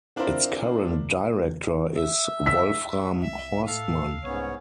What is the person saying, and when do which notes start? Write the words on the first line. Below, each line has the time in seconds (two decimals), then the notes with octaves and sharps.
Its current director is Wolfram Horstmann.
0.16 C4 D4 E4 F4 A#4 C5
1.95 E5
2.46 E6 B6
3.21 C2 E5
3.66 A2 A4 F5
4.24 C2 G#2 B3 C#4 C#5